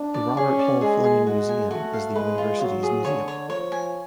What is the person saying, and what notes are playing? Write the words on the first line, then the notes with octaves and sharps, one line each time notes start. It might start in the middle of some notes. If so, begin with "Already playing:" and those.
The Robert Hull Fleming Museum is the university's museum.
Already playing: D4
D5
C#4 G#4
D5
G#3 G#4
G#4
G#3 F#4
G#5
A3 F#4
F5
G#3 B4
F4
F#3 F4
G#4
D3 C#5
C#5
F3 C#5
G#5